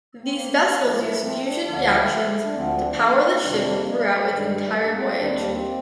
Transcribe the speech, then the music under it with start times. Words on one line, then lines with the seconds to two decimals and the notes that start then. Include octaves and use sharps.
These vessels use fusion reactions to power the ship throughout its entire voyage.
0.24 C4
0.35 A#3
0.52 C4
0.57 A#3
0.79 A2 F3
1.00 A3
1.22 C4
1.45 D4
1.66 D2 D3 F3 A#3
1.88 A3
2.10 A3
2.33 A3
2.44 D4
2.54 D2 D3 F3 C4
2.76 D4
2.98 A3
3.20 C4
3.42 F2 C3 D#3 G3 D4
3.64 A#3
3.87 G3
4.31 G2 D#3 G3
4.55 G3
4.65 A3
4.74 A#3
4.96 C4
5.18 D#2 D#3 G3 D4
5.29 C4
5.40 A#3
5.51 C4